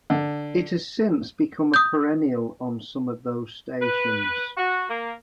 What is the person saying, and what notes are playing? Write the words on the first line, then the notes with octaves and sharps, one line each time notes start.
It has since become a perennial on some of those stations.
D3
D#6 G6
B4
F#4
A#3